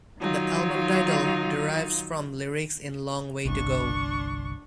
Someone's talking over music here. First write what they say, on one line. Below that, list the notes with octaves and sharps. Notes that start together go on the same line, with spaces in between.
The album title derives from lyrics in "Long Way to Go".
D#3 F#3 D#4 F4
G1 C2 D4 C#6